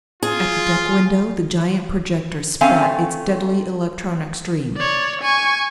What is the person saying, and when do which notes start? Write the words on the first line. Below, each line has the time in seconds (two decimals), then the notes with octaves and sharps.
At the deck window the giant projector spat its deadly electronic stream.
0.23 F4 G#4
2.61 A3 C4 C#4 F5 G#5
4.76 C#5 D5
5.21 G#5 C#6